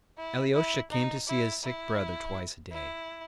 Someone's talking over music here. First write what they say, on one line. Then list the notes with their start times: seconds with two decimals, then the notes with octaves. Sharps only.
Alyosha came to see his sick brother twice a day.
0.18 E4
0.54 E4
0.90 D#4
1.27 E4
1.63 E4
2.72 E4